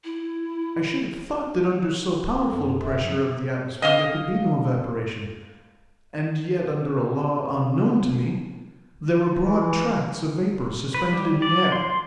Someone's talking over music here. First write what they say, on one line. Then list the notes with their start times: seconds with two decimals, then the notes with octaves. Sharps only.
I should have thought that under so powerful a pressure of the atmosphere there could be no evaporation; and yet, under a law unknown to me, there were broad tracts of vapour suspended in the air.
0.04 E4
2.48 F#2 A4
2.83 E5
3.02 F3 F#3 D4
3.82 D#5 F5 D#6
9.42 E3
10.94 B4
11.13 G3
11.42 D5
11.72 C6